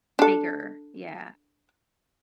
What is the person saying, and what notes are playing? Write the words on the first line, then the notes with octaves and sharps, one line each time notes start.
bigger, yeah.
D4 A4